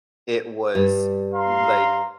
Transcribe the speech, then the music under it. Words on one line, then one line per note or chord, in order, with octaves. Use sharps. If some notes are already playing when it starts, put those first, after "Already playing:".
it was i like,
G2 G3
F5 A#5 C6